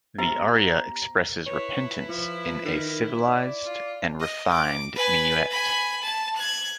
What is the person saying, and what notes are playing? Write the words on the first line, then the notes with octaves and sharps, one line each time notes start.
The aria expresses repentance in a "civilised and refined minuet".
B3 G4 C5 A#5
E4 B4 C#5
F3
D#3
D5
F4
D#5
D6
B4 G#5
G#5 B5
A5
F#6 G#6